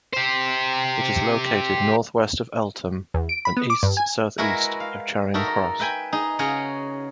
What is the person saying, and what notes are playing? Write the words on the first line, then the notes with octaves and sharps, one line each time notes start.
It is located north west of Eltham and east south-east of Charing Cross.
G4 C5
E2
D7
B5
B3
D6
G2
G#5
G#3 E4 F#4 A#4 B4 E5
F5
D#4 F#4 A4 A#4 E5
B4 E5 G5 G#5 B5
D#4 G#4
C#3 C#4 F#4 G#4 C#5